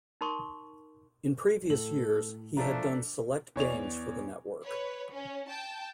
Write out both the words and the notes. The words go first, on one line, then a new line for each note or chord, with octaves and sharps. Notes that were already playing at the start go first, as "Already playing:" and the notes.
In previous years, he had done select games for the network.
D#4 A#4 C6 C#6
A2 A4 F#7
F3 A3 D4 A4 A#5
E2 C#5 D5 F7
B4 C#5
C#4
G5 A5